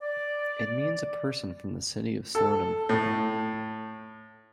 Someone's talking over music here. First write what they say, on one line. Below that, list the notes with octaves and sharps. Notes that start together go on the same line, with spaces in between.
It means "a person from the city of Slonim".
D5
A4
A2